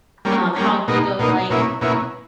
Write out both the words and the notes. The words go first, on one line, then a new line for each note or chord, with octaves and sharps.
um, how big of like,
G3 A#3 C#4
G3 A#3 C#4
B2 A#3 D#4
B2 A#3 D#4
B2 A#3 C#4 E4
B2 A#3 C#4 E4